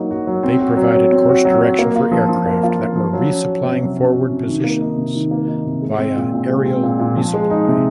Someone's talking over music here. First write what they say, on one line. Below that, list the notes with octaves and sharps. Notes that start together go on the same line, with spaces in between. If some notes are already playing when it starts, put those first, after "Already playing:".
They provided course direction for aircraft that were resupplying forward positions via aerial resupply.
Already playing: F#3 A#3 D#4 F#4
F#4
F#3
C4
F#4
F#3
F#3
C4
F#4
F#3
F#3
A#3
F4
F3
F3
A#3
F4
F3
F3
F#3
C#4
F#4
C3
F#3
C#4
F#4
C3
D#3
A#3
D#4
C3
D#3
A#3
D#4
C3
G#3
C4
A#2
A#2
G#3
C4
A#2
A#2
F3
G#3
D#4
C3